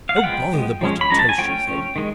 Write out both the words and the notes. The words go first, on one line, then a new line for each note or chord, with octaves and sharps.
"Oh, bother the buttered toast," she said.
F5
F#5
F3 G#3 B3 G5
F3 G#3 B3
F3 G#3 C#4
B5
F3 G#3 C#4 A#5
A5
G#5
F3 A3 C#4 G5
F3 A3 C#4
D#3 G#3